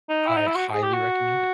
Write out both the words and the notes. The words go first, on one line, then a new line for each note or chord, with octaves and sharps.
I highly recommend it
D#4
E4
D#4
E4
F#4
G#4
G4
F#4